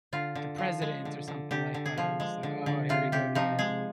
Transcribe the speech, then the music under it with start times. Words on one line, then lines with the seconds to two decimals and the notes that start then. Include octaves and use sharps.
the president or something like that, I'm just like, "Oh, here we go again."
0.13 D3 F4
0.35 D3
0.58 F3
0.82 G#3
1.05 D3
1.28 D3
1.51 D3 G4
1.74 D3
1.86 G#4
1.98 F3
2.20 G#3
2.43 D3
2.66 D3
2.89 C3 F4
3.12 C3 G4
3.35 F3 D#4
3.59 G#3 G#4